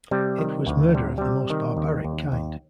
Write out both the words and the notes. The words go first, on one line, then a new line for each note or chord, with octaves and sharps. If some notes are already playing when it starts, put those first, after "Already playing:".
It was murder of the most barbaric kind.
C3 G3
D#3
D2
C3 G3
C3 G3
D#3
D#2
D#2
D#2